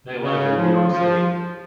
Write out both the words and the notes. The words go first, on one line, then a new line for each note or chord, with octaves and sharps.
They live in New York City.
C#3
F3
F3